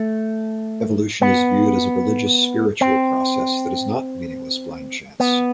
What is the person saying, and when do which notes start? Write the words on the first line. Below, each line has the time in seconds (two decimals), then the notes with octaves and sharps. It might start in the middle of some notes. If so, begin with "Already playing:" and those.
Evolution is viewed as a religious spiritual process that is not meaningless blind chance.
Already playing: A3
1.22 B3
2.81 C4
5.20 B3